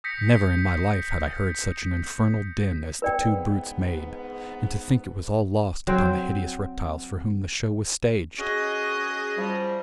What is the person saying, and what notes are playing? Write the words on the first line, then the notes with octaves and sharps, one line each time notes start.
Never in my life had I heard such an infernal din as the two brutes made, and to think it was all lost upon the hideous reptiles for whom the show was staged!
D#6 G6 A#6 B6 C#7
G#2 B3 B4 D5 G5
F#3 C4 C5 G5
C#4 F#4 G#4 D#5
F3 G3